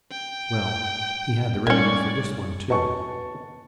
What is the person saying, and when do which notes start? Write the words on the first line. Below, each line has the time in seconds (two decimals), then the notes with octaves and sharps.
Well, he had the remedy for this one, too.
0.11 G5
1.67 D#3 G3 C#4 D5 C#6 G#6
2.70 B2 C#4 A5 C#6